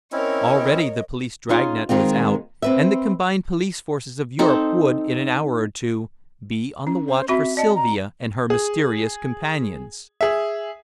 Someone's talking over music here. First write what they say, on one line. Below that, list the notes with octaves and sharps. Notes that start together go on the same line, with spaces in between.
Already the police drag-net was out, and the combined police forces of Europe would, in an hour or two, be on the watch for Sylvia and her mysterious companions.
C4 C#4 E4 A#4 C#5 D#5
C#4 D#4 F4 G#4
D#3 G#3 C4 F4
C4 B4 E5
C4 D#4 A4
C#4
C5
C4 F#4 E5 B5
D5 D#5 A5
A#5
G#4
G#4 E5